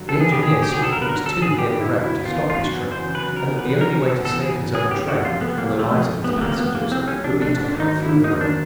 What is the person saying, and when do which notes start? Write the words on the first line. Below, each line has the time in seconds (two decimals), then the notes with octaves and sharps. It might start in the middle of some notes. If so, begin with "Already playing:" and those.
The engineer saw that he was too near the wreck to stop his train and that the only way to save his own train and the lives of his passengers would be to cut through the wreck.
Already playing: G2 D3 F#3
0.09 B3 A4
0.20 G#4
0.26 G2
0.32 G4
0.43 D3 G#4
0.59 F#3 G4
0.72 B3 G#4
0.83 A4
0.92 G2 A#4
1.02 B4
1.09 D3 A#4
1.25 F#3 A4
1.42 B3 G#4
1.59 G2 G4
1.76 D3
1.81 E4
1.93 F#3
2.04 E4
2.09 B3
2.25 E2 F4
2.43 C#3
2.50 F4
2.59 F#3 F#4
2.75 B3
2.92 E2 C5
3.08 C#3
3.15 B4
3.25 F#3
3.36 A#4
3.42 B3
3.59 E2 B4
3.75 C#3
3.81 A#4
3.93 F#3
4.03 A4
4.09 B3
4.25 E2 A4
4.42 C#3 G#4
4.58 F#3
4.75 B3 G#4
4.91 C2 G4
5.08 C3 F#4
5.25 F3 F4
5.41 A3 B3
5.58 C2 A#3
5.75 C3 A3
5.92 F3 G#3
6.08 A3
6.24 C2 B3
6.38 A3
6.41 C3 A#3
6.52 A#3
6.57 F3 B3
6.74 A3 A#3
6.91 C2 C4
7.08 C3 C#4
7.24 F3 D4
7.41 A3 D4
7.57 G#2 D4
7.75 D#3
7.80 D#4
7.91 F#3
8.02 E4
8.08 A#3
8.24 G#2 D#4
8.41 D#3 D4